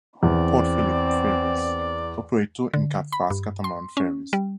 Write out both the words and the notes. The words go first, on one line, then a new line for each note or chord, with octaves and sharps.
Port Phillip Ferries operate two Incat fast catamaran ferries.
E2 C4 D5
D3
B5
G2
C6
C#4
G3